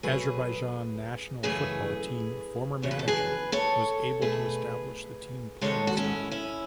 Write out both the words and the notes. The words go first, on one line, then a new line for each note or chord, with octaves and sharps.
Azerbaijan national football team former manager was able to establish the team playing style.
B2 F#3 A3 G#4 B4
F#2 C#3 E3 A3 G#4 B4
E2 C#3 F#3 C#5
B4
A4
G#4 B4
A4 C#5
B2 A3 G#4 B4
G#2 D#3 G#3 A4 C#5
F#4
C#4 E4
C#4 E4